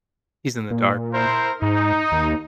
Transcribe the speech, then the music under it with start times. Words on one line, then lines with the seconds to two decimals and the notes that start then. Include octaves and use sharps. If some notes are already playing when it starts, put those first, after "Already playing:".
He's in the dark, yeah.
0.71 A#2
1.14 E4 A#4 C5
1.62 G#2 D#4
2.12 D#2